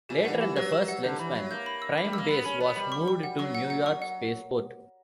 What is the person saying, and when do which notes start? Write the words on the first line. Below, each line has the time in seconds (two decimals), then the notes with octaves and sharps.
Later in "First Lensman" Prime Base was moved to New York Space Port.
0.09 A#2 G4
0.25 D3 F#5
0.33 E3
0.41 G4
0.56 F#3 B4
0.72 G4
0.88 F#5
1.03 D3 G6
1.19 E3 B5
1.35 F#3 E5
1.51 A#3 G6
1.66 B5
1.82 E6
1.98 B5
2.05 G3
2.13 A#3 E6
2.29 B3 B5
2.45 C#4 B5
2.61 B3 B5
2.76 G3 B5
2.92 C#6
3.08 C#6
3.23 F#5
3.39 F#3 C#6
3.55 F#5
3.70 F#5
3.86 C#6
4.02 F#5